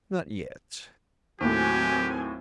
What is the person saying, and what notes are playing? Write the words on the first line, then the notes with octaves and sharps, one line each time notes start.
"Not yet."
D#2 A2 F#3 C4 G4 G#5